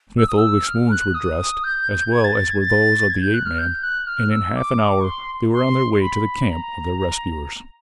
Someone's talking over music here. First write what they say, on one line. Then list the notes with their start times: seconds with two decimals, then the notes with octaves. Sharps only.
Smith-Oldwick's wounds were dressed, as well as were those of the ape-man, and in half an hour they were on their way to the camp of their rescuers.
0.18 E6
0.28 D#6
0.38 E6
0.66 F6
0.91 F#6
1.14 D#6
1.64 G6
2.12 G#6
2.25 A6
2.36 A6
2.49 G#6
2.61 A6
3.10 G#6
3.21 G6
3.34 F#6
3.45 F6
3.58 G6
3.83 F#6
4.07 F6
4.31 E6
4.55 D6
5.00 C#6
5.04 C6
5.53 C6
5.93 C6
6.01 B5
6.50 A#5